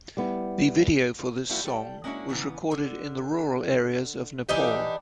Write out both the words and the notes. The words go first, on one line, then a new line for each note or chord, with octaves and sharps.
The video for this song was recorded in the rural areas of Nepal.
G3 B3 E4
F3 G3 A#3 E4 F#4
G3 A4 A#4 G5
G#3 A#3 C#4 D4 E4 F#4
C#3 E3 B3 A#5
D3
E3 D4 D#4 G4